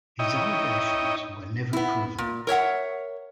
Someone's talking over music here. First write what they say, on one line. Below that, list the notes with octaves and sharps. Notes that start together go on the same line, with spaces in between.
His allegations were never proven.
D#4 E4 C#5 D#5 G5
B3 E4
A#2
A#4 C#5 E5 F#5